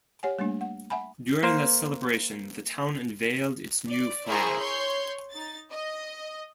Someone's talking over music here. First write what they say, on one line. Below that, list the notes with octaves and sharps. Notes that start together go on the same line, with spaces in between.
During that celebration, the town unveiled its new flag.
G4 C#5 F#5 G#5
G3 A3 A#3 D4
F#5
E5 F#5 G#5 B5
A#3 C5
D5
E4 G#4 A#4 C5 A#5 C#6
C#5 C6 G6
D#4 A6
D#5